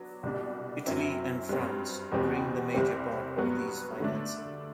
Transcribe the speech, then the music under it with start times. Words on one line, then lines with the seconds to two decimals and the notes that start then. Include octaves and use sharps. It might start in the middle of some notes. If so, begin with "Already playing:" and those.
Italy and France bring the major part of these financing.
Already playing: F#3 B3 D4
0.23 C2 B2 G3 D4
0.86 F#2 F#3 C4 E4
1.49 G2 F#3 C4
2.11 E2 B2 G3 C4 G4
2.75 C2 C3 G3 C4
3.38 G2 F#3 B3 F#4
4.00 D3 A3 D4